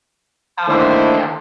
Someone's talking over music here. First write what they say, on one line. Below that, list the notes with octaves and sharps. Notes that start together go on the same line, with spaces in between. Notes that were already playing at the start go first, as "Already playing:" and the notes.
Ah. Yeah.
D3 D#3 A3 A#3 E4 C5